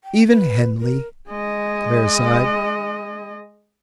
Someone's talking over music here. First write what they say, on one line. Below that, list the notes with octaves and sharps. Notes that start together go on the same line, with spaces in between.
"Even Henley!" Clare sighed.
G5
B4
A#4
G#3 D#5